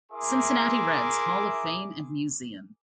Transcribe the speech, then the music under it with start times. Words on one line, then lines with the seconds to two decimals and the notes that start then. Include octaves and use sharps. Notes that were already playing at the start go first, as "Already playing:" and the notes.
Cincinnati Reds Hall of Fame and Museum.
0.12 E4 G#4 A#4 E5 C6 D6